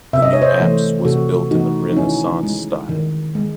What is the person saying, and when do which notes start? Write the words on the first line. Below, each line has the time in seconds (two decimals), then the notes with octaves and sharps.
The new apse was built in the Renaissance style.
0.13 C3 E5
0.22 D#5
0.33 C#5
0.42 C5 D#5
0.60 E3 A3
1.05 C3 F#4 A4
1.51 E3 A3 D#4 F#4
1.92 D#4
1.97 D#3 C#4 E4
2.43 G#3
2.89 D#3
3.35 G#3